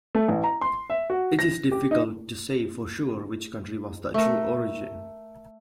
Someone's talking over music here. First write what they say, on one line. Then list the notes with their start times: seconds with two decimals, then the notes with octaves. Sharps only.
It is difficult to say for sure which country was the true origin.
0.15 A3
0.28 A1
0.44 A#5
0.61 C6
0.90 E5
1.10 F#4
1.39 A#6
1.71 G4
1.91 D#4
4.14 A3 A#4